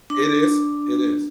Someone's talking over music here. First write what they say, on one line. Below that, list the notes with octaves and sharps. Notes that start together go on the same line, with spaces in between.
It is, it is.
D4